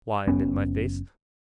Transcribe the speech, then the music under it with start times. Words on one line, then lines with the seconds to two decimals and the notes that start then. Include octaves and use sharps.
Wine in my face.
0.27 F#1 B3 C#4